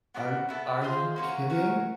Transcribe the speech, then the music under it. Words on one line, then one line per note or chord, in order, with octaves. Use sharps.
Are are you kidding?
B3 D4 F#4 A#4
B3 E4 A4
F4 G#4 C5 D#5
A#3 C#4 F#4
C#4 F#4 A#4